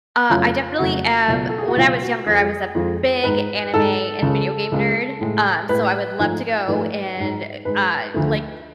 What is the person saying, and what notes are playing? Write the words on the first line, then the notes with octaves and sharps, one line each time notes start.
Uh, I definitely am When I was younger, I was a big anime and video game nerd, um, so I would love to go and, uh, like,
F2 C#3 F#3 A3 F4
F2 C#3 F#3 A3 F#4
C#2 B2 F#3
A4
G#4
F#4
C#2 B2 F#3 F4
F#4
F2 F3 G#3 G#4
F2 F3 G#3
G#2 G#3 B4
G#2 G#3 A4
C#2 C#3 G#3
C#2 C#3 G#3
A2 G#3
A2 G#3 B4
G#2 F3 A3
G#2 F3 A3 B4
G#2 G#3
G#2 G#3 B4
D2 D3 F3 A3